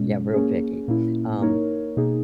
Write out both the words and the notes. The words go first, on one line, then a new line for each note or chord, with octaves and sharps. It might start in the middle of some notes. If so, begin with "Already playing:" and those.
Yeah, real picky. Um
Already playing: B2 G#3 C#4
A#3 C#4 G#4
A#2 A#3 C#4 E4
A#3 D#4 A#4 C#5
B2 A#3 D#4 G#4